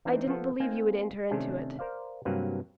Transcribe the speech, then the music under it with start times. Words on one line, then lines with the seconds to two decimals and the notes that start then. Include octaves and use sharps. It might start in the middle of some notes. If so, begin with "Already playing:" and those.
I didn't believe you would enter into it.
0.05 E3 C4 D4 D#4
0.27 F3 B3 A4
0.60 A#3 C4 D#4 G#5
1.31 C3 D#3 A3 C#4 D4
1.79 A#4 C5 D5 F5
2.25 G2 C3 F#3 A#3 B4